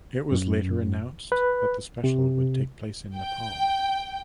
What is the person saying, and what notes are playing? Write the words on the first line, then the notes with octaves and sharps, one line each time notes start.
It was later announced that the special would take place in Nepal.
F#2
B4
C3
G5